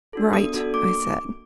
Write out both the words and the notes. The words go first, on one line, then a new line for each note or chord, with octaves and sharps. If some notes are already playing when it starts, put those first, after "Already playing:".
"Right," I said.
D4 F#4 A4
B3 D#6
D4 F#4 A4
A#3 D6